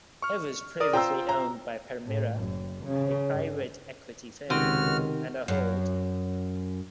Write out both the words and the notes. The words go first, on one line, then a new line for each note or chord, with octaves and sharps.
It was previously owned by Permira, a private equity firm, and Ahold.
C#6 F6
A#4 D5 D#6
F4 C5 G5 A#5 E6
A#5
A2
F#1
C#3
G2
C#2 C3 D#3 F#4 F6
F#2